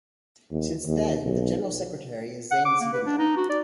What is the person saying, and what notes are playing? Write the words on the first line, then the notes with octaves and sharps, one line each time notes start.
Since then, the General Secretary is Zain Sidahmed.
D#2
D#2
B1
F#5
D6
A#3
B4
D4
D#4
F#4
D5